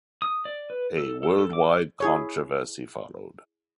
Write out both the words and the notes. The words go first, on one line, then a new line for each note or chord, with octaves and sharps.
A worldwide controversy followed.
D#6
D5
B4
A4
A4
A4
D6
E4 G#4 C#5